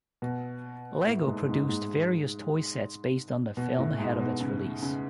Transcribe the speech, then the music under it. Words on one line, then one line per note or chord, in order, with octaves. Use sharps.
Lego produced various toy sets based on the film ahead of its release.
B2
A2
G#2
G#2
G#2
B2
A2
G#2
B2
C#3
C#3